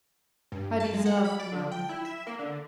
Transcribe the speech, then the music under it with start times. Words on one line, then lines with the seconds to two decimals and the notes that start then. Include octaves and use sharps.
I deserved none.
0.52 G2
0.80 A5
0.94 G#3
1.06 F#5
1.24 B5
1.39 D5
1.52 D3
1.72 G5
1.89 E4
2.05 E5
2.27 A#3
2.39 D3